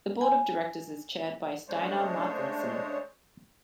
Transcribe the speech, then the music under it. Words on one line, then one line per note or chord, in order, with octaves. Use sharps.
The board of directors is chaired by Steinar Marthinsen.
G#5
C#3 G#3 A3 D4 C5 C#5